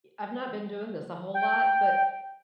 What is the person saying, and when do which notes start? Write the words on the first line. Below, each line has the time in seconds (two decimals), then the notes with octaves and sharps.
I've not been doing this a whole lot, but
1.34 G5